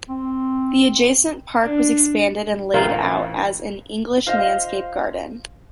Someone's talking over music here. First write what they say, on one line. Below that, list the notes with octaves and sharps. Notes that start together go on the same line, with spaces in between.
The adjacent park was expanded and laid out as an English landscape garden.
C4
D4
A1 E3 F4 A#4 C5 A#5
F4 C5 D#5 F5